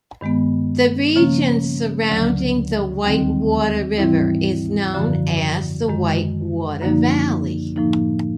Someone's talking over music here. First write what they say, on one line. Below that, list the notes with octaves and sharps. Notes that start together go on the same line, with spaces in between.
The region surrounding the Whitewater River is known as the Whitewater Valley.
G2 D#3 G#3 B3
C#3 F3 A#3 C#4
D2 D3 F#3
D#2 D#3 G3 C4
G#2 E3 G3 C4 E4
F#2 D3 F3
F#2 D#3 G#3
F#2 D3 F3 A#3 D#4
A2 F3 A#3 D#4